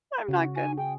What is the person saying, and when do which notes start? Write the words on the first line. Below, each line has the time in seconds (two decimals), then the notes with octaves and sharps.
I'm not good.
0.29 C#3 F#4
0.56 G#5
0.77 G#4 G5